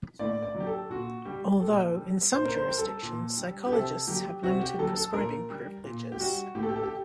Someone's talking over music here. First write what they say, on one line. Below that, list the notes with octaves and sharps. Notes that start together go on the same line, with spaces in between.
Although, in some jurisdictions, psychologists have limited prescribing privileges.
A2 D5
D5
F#3
G4
A4
A#2 F#4
G3 G4
A#2 A4
G3
A#2 C5
A#4
C5
G3 A#4
A4
A#2
G3
G4
C3 A4
F#3 G4
C3 F#4
G4
F#3 A4
A4
A#2 A#4
G3
A#2
G4
G3 F#4
A2 G4
A4
G4
A4
G4